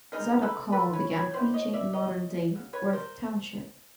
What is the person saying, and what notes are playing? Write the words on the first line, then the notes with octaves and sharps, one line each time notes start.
Zadock Hall began preaching in modern-day Worth Township.
G3 C4 D#4 G#4 A#4
A4 B4
A4 B4
B4 C#5
B4 C#5
G3 B3 E4 C5 D5
C#5 D#5
D5 E5
C#5 D#5
C#3 F#3
B4 C#5
A#4 C5